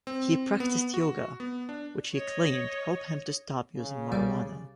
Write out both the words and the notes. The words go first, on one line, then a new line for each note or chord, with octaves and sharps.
He practiced yoga, which, he claimed, helped him to stop using marijuana.
C4
B3
F#4
B3
D4
C#5 D#5
C#3
C2 G3 D5